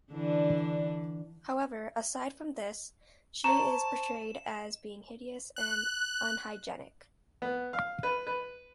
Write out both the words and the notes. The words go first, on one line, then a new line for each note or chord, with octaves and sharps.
However, aside from this, she is portrayed as being hideous and unhygienic.
D3 E3 D4
C5 A5 A#5 C#6 E7
F#6
B3
F5
B4
B4